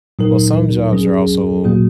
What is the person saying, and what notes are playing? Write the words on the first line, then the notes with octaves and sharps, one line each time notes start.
well, some jobs are also
A#2 F#3 D#4 A#4
F#3 C#4 G#4
A#2 F#3 A#3 F#4